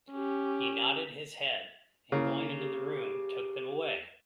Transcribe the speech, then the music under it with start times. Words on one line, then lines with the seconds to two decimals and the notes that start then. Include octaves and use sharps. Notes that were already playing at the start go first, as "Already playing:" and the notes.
He nodded his head, and going into the room took them away.
0.11 C#4 G4
2.12 C#3 A#3 E4
2.57 G4